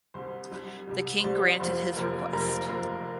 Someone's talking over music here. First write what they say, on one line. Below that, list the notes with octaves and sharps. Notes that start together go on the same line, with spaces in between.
The king granted his request.
C2 C3 G3 C5
C2 C3 G3
C2 C3 G3
C5
C2 C3 G3 D5
F1 F2 F3 A#3 C5
F1 F2 F3 A#3 A#4
F1 F2 F3 A#3 A#4
F1 F2 F3 A#3